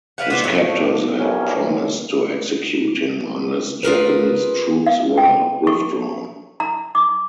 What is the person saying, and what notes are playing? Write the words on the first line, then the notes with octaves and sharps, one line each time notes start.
His captors had promised to execute him unless Japanese troops were withdrawn.
B4 D5 F5 F#5
B3 B4 C5 D5
A2 F#3
B1 F2 A2 G3 C#4 A#4
B1
F4 G#4 A#4 B4
F5
G5
C#6
A#5
D6